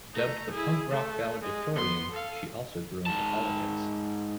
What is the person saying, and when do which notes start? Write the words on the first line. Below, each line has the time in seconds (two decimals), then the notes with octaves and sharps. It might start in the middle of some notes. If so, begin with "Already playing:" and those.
Dubbed the "punk-rock valedictorian," she also grew into politics.
0.13 A3 A#5
0.51 E4 G#4
0.90 A3
1.42 G#3
1.74 B3 C6
2.11 A4 F5
3.06 G#2 A5